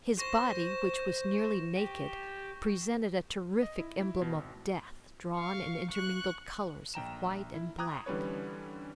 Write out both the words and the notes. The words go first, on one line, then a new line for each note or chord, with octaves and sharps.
His body, which was nearly naked, presented a terrific emblem of death, drawn in intermingled colors of white and black.
C5 C#6 A#6 E7
G4
D#5
E4
E4
B2
G#1
F5 C#6
C#6 F#6
A#1 G5 A#5 E7
E4
G5 A#5 D6 D#6 F#6 G#6
D3 E3 G3 C#4 B4 C#5